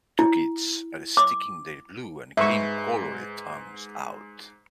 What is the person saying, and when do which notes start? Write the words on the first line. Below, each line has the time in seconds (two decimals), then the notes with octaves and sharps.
Two kids are sticking their blue and green colored tongues out.
0.19 E4
1.17 D6
2.37 G#2 G#3 B4 E5 C#6